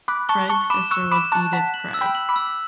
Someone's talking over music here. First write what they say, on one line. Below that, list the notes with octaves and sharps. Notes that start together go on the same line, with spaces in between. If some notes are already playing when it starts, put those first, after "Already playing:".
Craig's sister was Edith Craig.
B5 D6 F#6
A5 C#6 G7
A5 C#6 G7
B5 D6 E7
C#6 E6 F#6
B5 D6 E7
A5 C#6 F#6
F#5 A5 B6
F#7
E6
G5 B5
F#7
B5 D6
E6